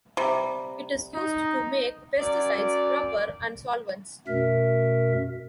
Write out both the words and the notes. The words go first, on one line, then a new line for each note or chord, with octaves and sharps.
It is used to make pesticides, rubber, and solvents.
C3 G3
D#4
F#2 D5
F#2 B2 A3 A#4 E5